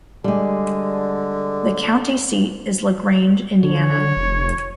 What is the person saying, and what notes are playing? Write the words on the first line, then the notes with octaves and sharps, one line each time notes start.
The county seat is LaGrange, Indiana.
D3 G3 G#3
D3 C#5
F1